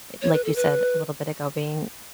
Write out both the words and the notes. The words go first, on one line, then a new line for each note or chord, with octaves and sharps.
like you said little bit ago, being
C#5
B4
A4
B4